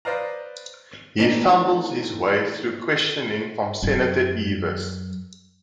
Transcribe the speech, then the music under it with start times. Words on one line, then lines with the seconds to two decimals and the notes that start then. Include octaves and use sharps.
He fumbles his way through questioning from Senator Eavis.
0.05 B4 C5 D5 D#5 F5 A#5
1.18 E3 A3 C4 D4 D#4
3.82 F#2 F#3